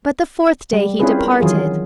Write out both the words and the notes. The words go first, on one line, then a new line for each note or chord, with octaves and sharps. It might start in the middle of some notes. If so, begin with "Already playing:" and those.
But the fourth day he departed!
G3
C4 C#4 E4 F4 G#4 B4
A#4
D#3 E3 F#3 F4 G#4